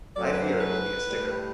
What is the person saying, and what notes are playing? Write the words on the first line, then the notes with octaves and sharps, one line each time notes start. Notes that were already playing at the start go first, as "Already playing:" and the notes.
I fear it will be a sticker.
F#2 F#3 A3 D5
C5
B4
C5
B4
A2 G3